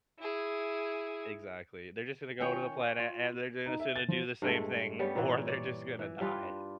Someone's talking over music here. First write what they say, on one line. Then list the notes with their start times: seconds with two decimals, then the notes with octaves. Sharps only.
Exactly. They're just gonna go to the planet, and they're j gonna sonna do the same thing, or they're just gonna die.
0.19 E4 G#4
2.40 D#3 C#4 F4 C#5 G5 G#5
3.00 F4
3.66 D#4
3.80 E5
3.96 A6
4.08 F3
4.42 G2 G#3 A3
4.99 G3 B3 C#4
5.15 A#2 E3
5.47 C#5 D5
5.99 E3
6.21 G3 D4 F4 B4